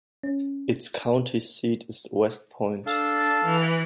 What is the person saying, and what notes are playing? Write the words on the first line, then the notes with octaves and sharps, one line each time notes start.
Its county seat is West Point.
C#4
D4 A4 F5 A5
E3